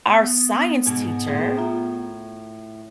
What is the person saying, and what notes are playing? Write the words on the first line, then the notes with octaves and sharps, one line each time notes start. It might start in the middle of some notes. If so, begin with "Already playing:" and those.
our science teacher
B3
G#2 B2
A2 C4 G#4
F4 E5 A#5